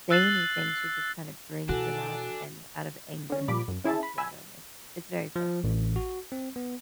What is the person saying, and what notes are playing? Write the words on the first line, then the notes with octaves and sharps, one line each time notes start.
say anything. She just kinda brings him up and out of anger, she talks about him. It's it's very frustrating.
E6 F#6 A6 C7 F#7
B2 E3 D4 F#4 A4 G#5
D3 C#4
A#2 F3 G3 B5 D6
F#2
C#4 E4 G#4 E5 A5
B5
G#5 B5 E6
F3
A1
F#4
C4
B3